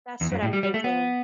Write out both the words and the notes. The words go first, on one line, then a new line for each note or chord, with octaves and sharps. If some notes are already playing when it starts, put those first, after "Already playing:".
That's what I'm thinking.
E2
F#2
A2
G3
G3
A3
B3